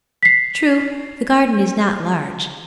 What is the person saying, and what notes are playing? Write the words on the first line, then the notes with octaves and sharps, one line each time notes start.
"True, the garden is not large."
B6 C7